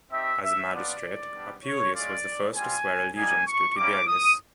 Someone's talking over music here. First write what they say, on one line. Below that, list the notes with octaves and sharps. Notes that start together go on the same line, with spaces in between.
As a magistrate, Appuleius was the first to swear allegiance to Tiberius.
C4 D#4 G4 E5
E5
B3 D4 F4 D5
G3 B3 D4
C#5
G#3 C#4 F4 D5
G3 C4 F4 G#5
G3 A#3 D#4 G#5
C#6
G3 A#3 C#4 E4 D6
D#6